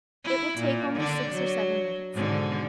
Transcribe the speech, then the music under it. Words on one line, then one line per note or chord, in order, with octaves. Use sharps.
It will take only six or seven minutes.
E4
A#2
D3 D4
F#3
G#2 B2 D3